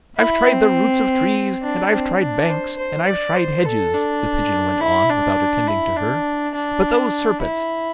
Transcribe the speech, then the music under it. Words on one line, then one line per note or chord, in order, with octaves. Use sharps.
'I've tried the roots of trees, and I've tried banks, and I've tried hedges,' the Pigeon went on, without attending to her; 'but those serpents!
E4
C4
D4
C4
D4
C5
C5
D5
C5
A4
D4
E4
D4
E4
D4
D4
E4